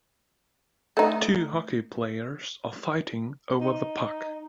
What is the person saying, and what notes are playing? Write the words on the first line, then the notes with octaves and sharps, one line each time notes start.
Two Hockey players are fighting over the puck.
A3 D#4
D#4